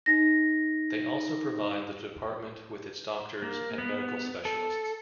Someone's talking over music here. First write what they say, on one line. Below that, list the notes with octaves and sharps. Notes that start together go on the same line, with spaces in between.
They also provide the Department with its doctors and medical specialists.
D#4 A#6
A#3
B3
A4